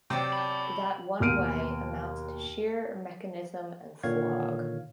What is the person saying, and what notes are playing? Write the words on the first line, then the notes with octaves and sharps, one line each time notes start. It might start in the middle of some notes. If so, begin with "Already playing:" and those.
That one way amounts to sheer mechanism and slog.
C3 F#3 C4 D5 G5
A5 B5
D#2 B2 F6 D7 D#7
A#2 D3 D#3 C#5 F5 G#6